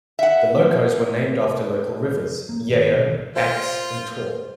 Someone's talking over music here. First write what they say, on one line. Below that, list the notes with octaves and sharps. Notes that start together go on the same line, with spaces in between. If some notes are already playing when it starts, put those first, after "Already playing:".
The locos were named after local rivers: "Yeo", "Exe", and "Taw".
E5 F#5
A#3
G#1
B1
F4 C5